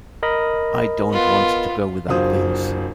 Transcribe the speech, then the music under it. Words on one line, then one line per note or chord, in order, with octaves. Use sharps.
I don't want to go without things.
A#4 D#5 B5
B3 F4
F#1 F#3 D4 F4 C5 D#6